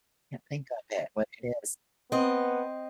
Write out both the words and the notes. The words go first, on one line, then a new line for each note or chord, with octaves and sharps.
Can't think of it, what it is.
B3 C4 D#5